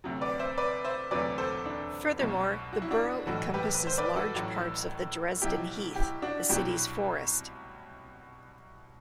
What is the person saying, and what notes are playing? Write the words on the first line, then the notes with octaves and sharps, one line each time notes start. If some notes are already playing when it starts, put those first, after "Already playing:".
Furthermore, the borough encompasses large parts of the Dresden Heath, the city's forest.
D2 C3 F#3
B4 D5
C5 E5
B4 D5
C5 E5
E1 D2 C3 F#3 B4 D5
A4 C5
D4
C2 B2 F#3
F#4
E4
D4 F#4
B1 A2 E3 F#4 A4
G4 B4
B4
C5
B4 D5
F#4 A4
A1 A2 F#3
B1 B2 F#3 E4 G4
E4 G4
D4 F#4
C2 B2 F#3 E4 G4